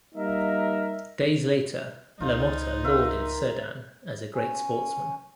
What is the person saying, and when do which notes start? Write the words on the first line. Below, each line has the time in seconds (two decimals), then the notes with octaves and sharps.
Days later, LaMotta lauded Cerdan as a great sportsman.
0.15 G3 A#3 D#4 A#4 E5
2.20 C#2 D#4 F4 C5 F5
2.84 A#4 E5 F5 C6
4.35 C#4